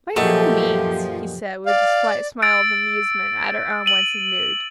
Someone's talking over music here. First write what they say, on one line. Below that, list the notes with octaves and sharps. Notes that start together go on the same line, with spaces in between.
"By no means," he said, with a slight smile of amusement at her unwonted mood.
F#2 A#2 F3 A3 D#4 F#4 G4
D5 F5
E6 A6 D7
D#7 F#7